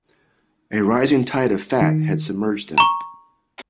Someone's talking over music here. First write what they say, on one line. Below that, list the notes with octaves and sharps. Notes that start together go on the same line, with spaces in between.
A rising tide of fat had submerged them.
D#3
A#5 C#6